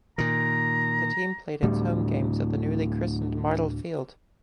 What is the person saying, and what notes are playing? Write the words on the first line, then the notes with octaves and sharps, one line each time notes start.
The team played its home games at the newly christened Martell Field.
A#2 D#3 A#5
D2 A2 G3